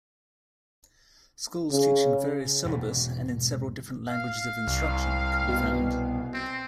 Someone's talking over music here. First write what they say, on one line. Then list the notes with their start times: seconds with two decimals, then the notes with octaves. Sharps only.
Schools teaching various syllabus and in several different languages of instruction can be found.
1.72 C#3
2.65 E1 G#2
4.10 F5
4.67 C2
5.48 B2
6.33 C4